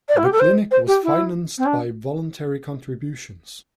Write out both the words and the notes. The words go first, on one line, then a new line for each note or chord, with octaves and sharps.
The clinic was financed by voluntary contributions.
D5
E4
G4
A4
C5
C5
G4
E4
C4
D4